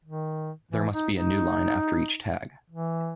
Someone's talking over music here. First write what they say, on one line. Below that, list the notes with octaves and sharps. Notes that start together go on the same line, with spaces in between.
There must be a newline after each tag.
D#3
E3
D#4
D#4
E3